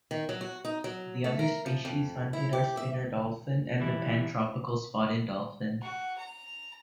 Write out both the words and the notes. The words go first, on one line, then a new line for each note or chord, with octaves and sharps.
The other species hunted are Spinner Dolphin and the Pantropical Spotted Dolphin.
D#3
F#3
F#4
D#4
F#3
A3
A#4
F3
F2
E4
G4
E5
E3 G3 E4
F#4
A#5